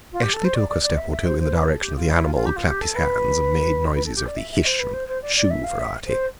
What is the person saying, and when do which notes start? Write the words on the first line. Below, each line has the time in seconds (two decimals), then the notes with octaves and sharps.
Eshley took a step or two in the direction of the animal, clapped his hands, and made noises of the “Hish” and “Shoo” variety.
0.12 F4
0.22 G4
0.33 A4
0.44 C5
0.54 D5
0.68 D5
0.82 D5
0.96 E5
1.11 E5
1.25 C5
1.39 C5
1.53 B4
1.68 A4
1.81 G4
1.95 F4
2.10 E4
2.24 F4
2.34 F4
2.45 G4
2.56 F4
2.66 G4
2.80 A4
2.95 B4
3.94 B4
4.05 A4
4.15 G4
4.26 D5
4.36 E5
4.51 E5
4.65 C5
4.79 B4
4.93 C5
5.07 C5
5.21 D5
5.36 D5
5.50 E5
5.63 F5
5.78 E5
6.06 C5